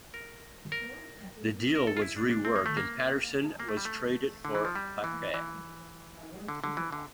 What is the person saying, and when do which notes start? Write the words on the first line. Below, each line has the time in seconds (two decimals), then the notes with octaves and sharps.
The deal was reworked and Patterson was traded for Paquette.
0.14 A#4
0.72 A#4
1.75 A#4
1.87 A4
1.97 F4
2.02 E4
2.17 D4
2.31 D4
2.45 C4
2.56 A#3
2.66 A3
2.77 A#3
3.60 A#3
3.69 A3
3.77 G3
3.85 A3
4.45 D3
4.55 E3
4.65 F3
4.76 G3
5.04 E3
5.34 E3
6.48 D3
6.64 D3
6.77 E3
6.93 D3